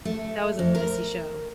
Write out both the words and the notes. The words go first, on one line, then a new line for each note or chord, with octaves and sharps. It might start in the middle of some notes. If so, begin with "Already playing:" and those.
That was a messy show.
A3
F2
A#4